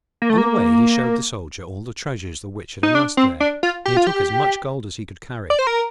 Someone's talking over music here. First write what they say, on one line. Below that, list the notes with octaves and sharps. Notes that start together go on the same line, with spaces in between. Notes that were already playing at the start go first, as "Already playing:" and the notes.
On the way he showed the Soldier all the treasures the Witch had amassed there, and he took as much gold as he could carry.
A#3
A3
A#3
D#4
D4
C4
D4
F4
G4
F4
G4
D5
C5
A#4